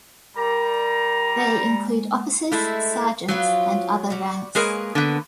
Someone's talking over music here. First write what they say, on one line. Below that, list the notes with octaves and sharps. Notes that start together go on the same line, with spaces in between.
They include officers, sergeants and other ranks.
G3 A#4 A#5 D6
G#3 A#3
G#3 A3 E4
F3 F#3 F4 B4
G3 F#4
G#3 A#3 G#4 A#4 B4 C#5
D3 B3